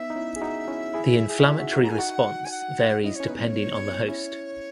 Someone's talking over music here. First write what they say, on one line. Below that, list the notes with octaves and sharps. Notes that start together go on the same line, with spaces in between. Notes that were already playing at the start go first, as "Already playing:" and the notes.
The inflammatory response varies depending on the host.
Already playing: B3 D#4 E5
D#4
C#4 E4
G#4
D#4 F#4
C#4 E4
E4 G#4
G#4
F#4
C#4 E4
D#4 F#4
F#4 A#4
A#5
E4 G#4 G#5
D#4 F#4 F#5
G#5
F#5
C#4 E4 D#5
C#4 C#5
B3 D#4 B4
C#5
C#4 E4 C#5